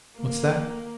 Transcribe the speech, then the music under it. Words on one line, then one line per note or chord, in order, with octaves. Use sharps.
What's that?
A#3